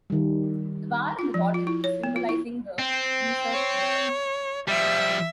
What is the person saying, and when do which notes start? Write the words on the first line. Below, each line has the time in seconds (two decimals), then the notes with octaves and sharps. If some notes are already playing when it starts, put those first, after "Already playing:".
The bar in the bottom is symbolising the Weser River.
0.10 D#3 G3
1.19 F4
1.34 F3
1.54 F4
1.67 E4
1.84 C#5
2.04 B3
2.16 F4
2.29 E4
2.79 C4
3.52 C#5
4.68 F3 G3 E5